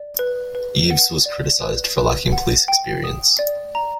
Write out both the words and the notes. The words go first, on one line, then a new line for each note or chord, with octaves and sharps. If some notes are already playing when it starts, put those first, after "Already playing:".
Eaves was criticized for lacking police experience.
Already playing: D5
B4
B4
F#5
D5
B4
B4
F#5
G5
D#6
D5
A#5